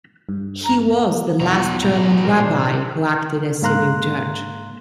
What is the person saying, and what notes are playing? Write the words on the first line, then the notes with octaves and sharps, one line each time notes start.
He was the last German rabbi who acted as civil judge.
G2
A#5
B1 E2 B2 F3 A#5
A1 G2 B2 F#3 A#5
A#2 D4 A#4 C5
G#2 A#3 F5 A#5 C6 F#6